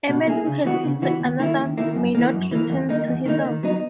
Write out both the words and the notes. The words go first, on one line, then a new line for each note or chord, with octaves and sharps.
A man who has killed another may not return to his house.
B2
A#3 E4 G#4
C#3
E3 B3 F#4
C#3
E3 B3 F#4
D#2
D#3 A#3 E4
D#2
D#3 A#3 E4
F#2
E3 A#3
F#2
E3 A#3
E2
D#3 A#3 D#4
E2
D#3 A#3 D#4
D#3
F#3 B3 D#4